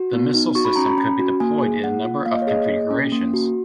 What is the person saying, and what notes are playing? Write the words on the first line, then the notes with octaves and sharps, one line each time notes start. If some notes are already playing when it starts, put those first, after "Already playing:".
The missile system could be deployed in a number of configurations.
Already playing: F#4
B3
D#4
F#4 C#6
B5
C#4 A#5
B5
C#4 B5
F#4
A#3 G#5
G#4
A#3 F#5
F4
A#3 F5
D#5
C#5
G#4 D#5
A#3
C#4
A#3
F#4